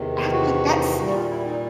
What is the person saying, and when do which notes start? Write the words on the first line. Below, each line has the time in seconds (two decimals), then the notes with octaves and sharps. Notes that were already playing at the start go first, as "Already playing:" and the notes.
I'm like "That's
Already playing: E2 C3 D#3
0.32 F#4
0.97 A#2 G3 F#4
1.09 F#4
1.14 F4
1.30 E4
1.45 D#4